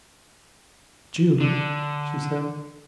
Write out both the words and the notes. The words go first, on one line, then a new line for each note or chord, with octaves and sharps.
"Jude," she said.
D3